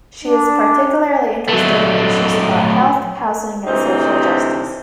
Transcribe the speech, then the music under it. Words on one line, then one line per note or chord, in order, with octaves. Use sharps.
She is particularly interested in issues about health, housing and social justice.
D4
F#3 A3
D2 C3 E3 D#4 C5